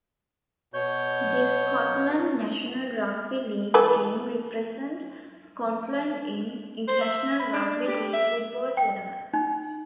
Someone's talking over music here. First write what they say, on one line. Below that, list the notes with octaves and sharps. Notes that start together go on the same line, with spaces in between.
The Scotland national rugby league team represent Scotland in international rugby league football tournaments.
B2 C#5 G6
E3 A4 B4
C5
E5
B5
D4
G4
E5
G5
D#4